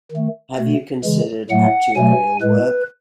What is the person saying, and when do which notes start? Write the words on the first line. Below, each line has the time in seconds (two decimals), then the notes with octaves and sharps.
Have you considered actuarial work?
0.11 D#3 A3
0.58 B2 A3
1.04 C#3 E3 G#3
1.50 A2 F#3 A3 F#5
1.96 B2 F#3 A3 G#5
2.41 A2 G#3 B4